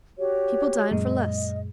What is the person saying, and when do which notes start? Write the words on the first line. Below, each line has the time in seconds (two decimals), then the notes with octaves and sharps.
People dine for less.
0.17 F#4 G4 C#5
0.91 F#2 A#2 G#3 D#5